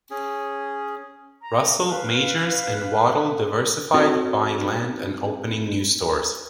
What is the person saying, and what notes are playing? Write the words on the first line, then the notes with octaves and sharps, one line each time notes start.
Russell, Majors, and Waddell diversified, buying land and opening new stores.
C#4 G#4
A#5
B4 F5
C4 D#4 F#4 A4 C#5 D#5